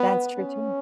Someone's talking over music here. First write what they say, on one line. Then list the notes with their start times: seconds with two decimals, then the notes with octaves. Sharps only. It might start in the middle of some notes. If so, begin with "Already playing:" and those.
That's true too.
Already playing: B3
0.38 C#4